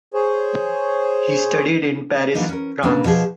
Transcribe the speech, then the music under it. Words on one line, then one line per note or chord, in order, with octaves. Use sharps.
He studied in Paris, France.
G#4 C5 C#5
E3 F#3 A#3 D4 D#4
C#4 A#4
C#3 A#3 D4 A#4 B4
B2 F3 G4 G#4